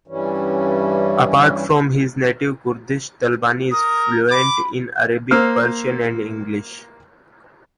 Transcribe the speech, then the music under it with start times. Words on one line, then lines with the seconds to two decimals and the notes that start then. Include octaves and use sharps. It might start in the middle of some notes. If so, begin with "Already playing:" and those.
Apart from his native Kurdish, Talabani is fluent in Arabic, Persian, and English.
0.07 G2 E3 G3 C#4
3.72 A#4 D#6
4.31 B5 D6
5.31 A#3 C5 E6 F6